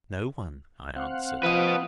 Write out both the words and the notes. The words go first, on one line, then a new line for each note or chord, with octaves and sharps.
"No one," I answered.
C4 F5 F#5
F3 B4 D#5